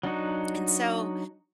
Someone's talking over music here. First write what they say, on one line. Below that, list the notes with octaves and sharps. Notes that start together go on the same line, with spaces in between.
And so
F#3 D4 D#4 F#4